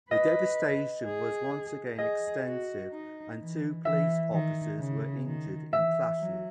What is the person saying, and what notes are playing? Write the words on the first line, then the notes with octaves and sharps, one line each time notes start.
The devastation was once again extensive and two police officers were injured in clashes.
B4 D#5
G#4
G#4 D#5
F#4
D#4
E3
E3 E5
D#3
C#3
D#3
E3 E5
F#3